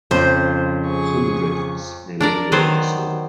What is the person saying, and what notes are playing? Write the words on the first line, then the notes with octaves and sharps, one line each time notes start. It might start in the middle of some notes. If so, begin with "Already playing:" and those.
Some drifts may linger into summer.
F2 C#3 F3 C4 C5
G#4 C#6
D4 A#4 D5
D#3 F#3 B3 D4 C5